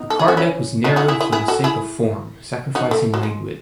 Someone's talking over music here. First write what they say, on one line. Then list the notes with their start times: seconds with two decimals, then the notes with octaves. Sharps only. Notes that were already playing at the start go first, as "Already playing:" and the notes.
The car deck was narrowed for the sake of form, sacrificing lane width.
Already playing: B3 D#4
0.10 A4
0.19 G#4
0.28 F#4
0.37 C#4 E4
0.84 D#4 F#4
0.96 D#4 F#4
1.08 E4 G#4
1.21 E4 G#4
1.32 E4 G#4
1.48 F#4 A4
1.64 E4 G#4
2.75 D#4 F#4
2.91 A3
3.14 F#3
3.23 G#3